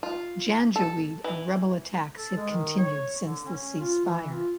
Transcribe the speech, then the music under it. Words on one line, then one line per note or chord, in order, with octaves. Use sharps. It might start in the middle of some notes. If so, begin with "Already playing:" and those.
Janjaweed and rebel attacks have continued since the ceasefire.
F4
A4
E3
A4
G#3
D#3
C#5
D3
C#4
F4
E3
F4